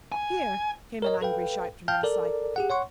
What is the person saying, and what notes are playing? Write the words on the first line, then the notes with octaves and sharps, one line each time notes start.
"Here!" came an angry shout from inside.
G#5
A#4 C#5 D#5
A4 B4 F5 G5
F5 G5 A5 F6 G6
A4 A#4 D5
G4 G#4 F#5
C#5 F#5 C6 C#6